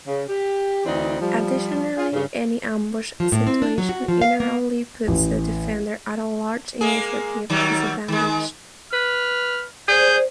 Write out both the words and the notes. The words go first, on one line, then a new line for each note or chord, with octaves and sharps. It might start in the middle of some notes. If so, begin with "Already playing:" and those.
Additionally, any ambush situation inherently puts the defender at a large initiative disadvantage.
C#3
G4
D2 E3 C4 D4 D#4
F3 G3
F4 G#4
G2 C#3
F3
A2
C4
D4
F#3
F#4
F3
F5
A#3
A1
G#3 A#3 G#4
D#3 F#3 G3
D#3 G#3
B4 F6
G#4 C5 D5 G6